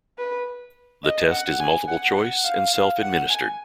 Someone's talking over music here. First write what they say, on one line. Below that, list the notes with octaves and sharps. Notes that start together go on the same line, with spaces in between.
The test is multiple choice and self-administered.
B4
D#5
F#5
G#5
F#5
F#5
F5
F5
F#5
G#5